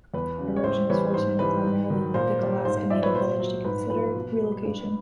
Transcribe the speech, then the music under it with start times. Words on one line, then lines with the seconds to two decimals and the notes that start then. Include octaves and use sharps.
Erosion is forcing the primarily Yupik Alaska Native village to consider relocation.
0.14 E2 B4
0.38 C#3 F#3
0.56 C#5
0.64 A2 C5
0.90 E3 G3 B4 C#5
1.14 G#2 C5
1.39 E3 G3 B4
1.64 G#2
1.90 D#3 F#3
2.14 A#2 C5
2.40 G3
2.65 G#2 C5
2.77 C5
2.90 F3 D5 E5
3.02 B4 C#5
3.15 A#2 C5
3.40 F#3
3.65 G#2 B4
3.90 F3 B4
4.15 B2
4.41 G3
4.65 G2